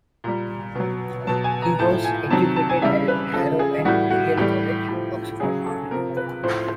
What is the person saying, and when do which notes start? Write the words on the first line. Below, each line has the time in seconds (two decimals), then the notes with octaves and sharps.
He was educated at Harrow and Oriel College, Oxford.
0.24 A#2 G3 A#5
0.75 B2 F#3
1.27 B2 F#3 A5
1.44 G#5
1.62 A#5
1.79 A2 F3 A5
2.04 G#5
2.30 C3 D#3 F#3 A5
2.56 A5
2.69 G#5
2.82 C#3 E3 G3 E5
3.08 B4
3.34 C#3 F3 A4
3.59 G#4
3.85 A2 E3 G3 F#4
4.10 F#4
4.37 A2 E3 G3 G4
4.89 A2 F3
5.40 C#3 F#3 G#4
5.66 A4
5.91 C3 F3 A#4
6.17 B4
6.43 A2 F3 C5